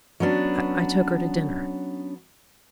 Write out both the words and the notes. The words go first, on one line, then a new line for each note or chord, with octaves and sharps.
I took her to dinner.
F#3 B3 C#4 D4